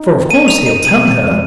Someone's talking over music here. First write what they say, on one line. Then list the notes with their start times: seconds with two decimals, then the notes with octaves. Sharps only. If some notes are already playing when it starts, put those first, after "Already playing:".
For of course he'll tell her.
Already playing: D#4
0.12 C4
0.29 A#3 D#7
0.48 D#4 F7
0.66 D#4 D#7
0.85 C3 D#7
1.04 C3
1.21 F2